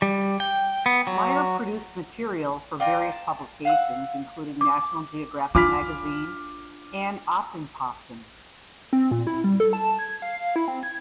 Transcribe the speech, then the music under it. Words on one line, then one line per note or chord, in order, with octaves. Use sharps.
Meyer produced material for various publications including National Geographic Magazine and Aftenposten.
G3
G5
B3
F#3
F4 D5 G5 A#5
A5
F5 F#5 E6
D6
D4 F4 G#5 B5 D6 F6 B6
C4
A#2
E4
G3
A4
A5
G#6
F5
F5
E4
C4
G#6